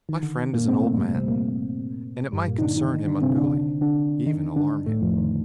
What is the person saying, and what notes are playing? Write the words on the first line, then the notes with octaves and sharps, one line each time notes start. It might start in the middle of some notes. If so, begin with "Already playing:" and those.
My friend is an old man, and it might concern him unduly--even alarm him.
D#3
D3
D#3
A#2 A#3
C3 C4
A2 A3
G2 G3
C3 C4
A#2 A#3
G2 G3
A#2 A#3
D#4
D3 D4
D#3 D#4
D3 D4
C3 C4
D3 D4
D3 D4
D#3 D#4
D3 D4
A2 A3
F2 F3
D3
D#3
D3